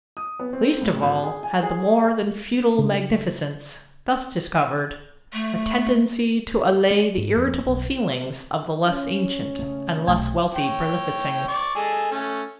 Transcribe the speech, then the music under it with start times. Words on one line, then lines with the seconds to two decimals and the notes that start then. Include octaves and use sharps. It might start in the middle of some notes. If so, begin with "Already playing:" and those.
Least of all had the more than feudal magnificence, thus discovered, a tendency to allay the irritable feelings of the less ancient and less wealthy Berlifitzings.
0.17 D#6
0.39 B3
0.53 C4
0.82 A2
1.02 G#1
1.23 G#4
1.43 G#5
1.63 G#4
2.78 C#3 D4
5.33 A3
6.90 G#3
7.17 G#2
7.36 F2
7.67 B1
8.87 C#4
9.59 C#3 A3
10.07 B1 C3 A3
10.55 C#5 G5
11.48 D5 C#6 D6
11.75 G#3 G#4 A4
12.11 A3 C#4